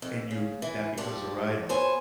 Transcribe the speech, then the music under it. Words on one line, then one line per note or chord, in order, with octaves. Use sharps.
and you get that because of write-off.
F2
C#3
E3
F3 D4 G4
D2 B3 C5 C#5 G#5